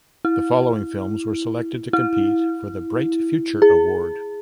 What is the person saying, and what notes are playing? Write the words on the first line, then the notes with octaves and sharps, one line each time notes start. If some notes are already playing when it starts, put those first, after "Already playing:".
The following films were selected to compete for the Bright Future Award.
E4
E4
G#4